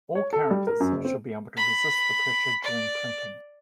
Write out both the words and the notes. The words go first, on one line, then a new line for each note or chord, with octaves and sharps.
All characters should be able to resist the pressure during printing.
C#5
A4
G3
A#4
F#2
F#1
C4
B5
D5